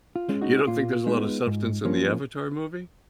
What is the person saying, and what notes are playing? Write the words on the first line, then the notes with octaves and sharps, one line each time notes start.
you don't think there's a lotta substance in the Avatar movie?
F4
G#3 C#4
D#4 F#4
A#2 F4
G#3 B3 D#4
G#2
F3 A#3 C#4